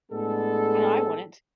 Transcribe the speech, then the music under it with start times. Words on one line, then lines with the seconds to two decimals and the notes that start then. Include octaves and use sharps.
I know I wouldn't.
0.11 A2 G#3 B3 D4 G#4 A4